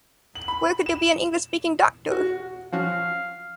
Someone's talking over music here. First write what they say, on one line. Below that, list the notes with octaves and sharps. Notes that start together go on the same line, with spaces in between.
Where could there be an English-speaking doctor?
F#7
B5
E7
F#4
F3 C#4 F#4 F5